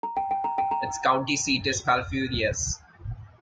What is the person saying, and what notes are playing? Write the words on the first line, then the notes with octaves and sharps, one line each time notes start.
Its county seat is Falfurrias.
A#5
G5
G5
A#5
G5
A#5